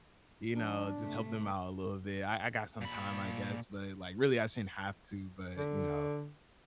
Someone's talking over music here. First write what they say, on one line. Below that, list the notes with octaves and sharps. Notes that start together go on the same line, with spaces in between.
you know, just help them out a little bit, I I got some time, I guess, but, like, really I shouldn't have to, but, you know."
F3 D4
C3 A3
A#2 B5
D3